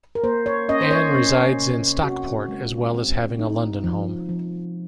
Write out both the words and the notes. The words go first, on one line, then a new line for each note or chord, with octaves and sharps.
Ann resides in Stockport as well as having a London home.
A#4
A#3 C5
C#5
C#4 D#5
C5
C#5
C#4
C3
C4 F#4
G#3
C4
D#4
F3
F3